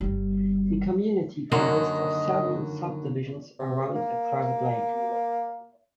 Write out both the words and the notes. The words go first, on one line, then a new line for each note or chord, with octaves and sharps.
The community consists of several subdivisions around an private lake.
G1 G3
F#2 D3 D#3 A#3 D#5
C3
A#3